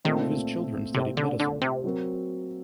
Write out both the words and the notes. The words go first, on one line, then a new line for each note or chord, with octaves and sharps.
Two of his children studied medicine.
A#2 D#3 A3 C4
C3
D3
D3
C3
F#3 C4 F#4 A#4